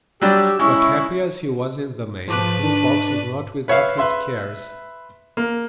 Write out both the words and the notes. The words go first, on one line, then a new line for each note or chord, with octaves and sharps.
But happy as he was in the main, Blue Fox was not without his cares.
F#3 G3 D4 G4 E6
G#3 C#4 E4 C#6
G#2 F3 A3 B4 D6 F#6
D4
B4 C#5 E5 F5
B4 E5 C6
A#3